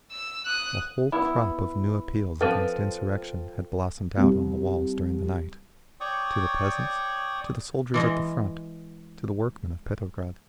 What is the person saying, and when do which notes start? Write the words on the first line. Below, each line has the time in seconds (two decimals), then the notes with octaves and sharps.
A whole crop of new appeals against insurrection had blossomed out on the walls during the night--to the peasants, to the soldiers at the front, to the workmen of Petrograd.
0.11 E6
0.45 D#6 F#6
1.12 B3 E4 B5
2.41 F3 C4 A4 B4 A6 D#7
4.18 C2
6.00 C#5 D5 G5 C#6 D#6
7.94 E3 G#3 D#5